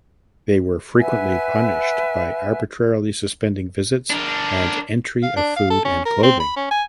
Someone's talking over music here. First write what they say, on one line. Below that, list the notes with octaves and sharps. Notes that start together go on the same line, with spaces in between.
They were frequently punished by arbitrarily suspending visits and entry of food and clothing.
B4 E5 F#5 G#5
D4 A#4
F5
D4
F5
A4
C#4
A#4
C4
B5
C#4
G#5